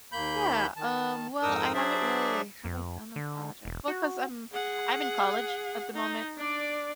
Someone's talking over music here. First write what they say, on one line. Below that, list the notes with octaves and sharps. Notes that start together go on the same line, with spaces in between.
Yeah, um, well, I haven't really have I done a project? Well, 'cause I'm I'm in college at the moment
D#2 A#3 B5 G6
D#3 A5
F2 G#2 D#4 A#4 D#6 E6
F#3 D4 G#4 C5 D5 E5
F2
D3
E1
F#4
G#4 F#5
D#4
D4 D5